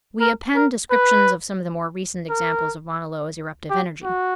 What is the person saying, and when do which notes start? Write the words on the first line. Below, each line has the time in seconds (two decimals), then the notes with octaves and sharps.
We append descriptions of some of the more recent examples of Mauna Loa's eruptive energy.
0.20 A#4
0.55 A#4
0.90 B4
2.30 A#4
3.70 G4
4.04 F#4